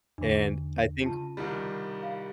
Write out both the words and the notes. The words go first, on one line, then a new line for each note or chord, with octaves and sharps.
and I think
E2 D3 D4
C#3 F4 A5
C2 D#3 G3
F5